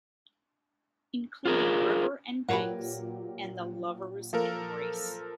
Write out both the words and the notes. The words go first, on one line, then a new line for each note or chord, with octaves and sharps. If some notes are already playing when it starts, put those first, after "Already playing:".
Including River and Banks, and The Lovers Embrace.
F4 G#4 A#4
A#2 F#3 G4 A#4 B4 C#5 F#5
F3 A#3 A4 A#4 F5